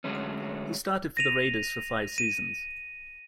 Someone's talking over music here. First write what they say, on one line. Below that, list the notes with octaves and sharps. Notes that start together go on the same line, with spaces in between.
He started for the Raiders for five seasons.
D3 F#3 G#3 A3 C#4
A#6 D#7 F7
D#7